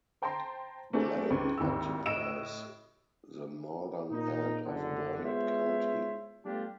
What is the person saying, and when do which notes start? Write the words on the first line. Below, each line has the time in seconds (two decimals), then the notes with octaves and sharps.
Blaine occupies the northern end of Burnett County.
0.22 C5 G5 A5 A#5 C6
0.93 A3 A#3 C4 D4 G#4
1.30 C#2
1.58 G#1 D#2 E4 E6
2.06 A2 D#5 E6 D7 E7
4.11 A#2 D#4
4.66 F#1 D3
5.24 G#3 B3 F4 C5 C#5 E5
6.45 G3 A3 B3 D4 F4 G4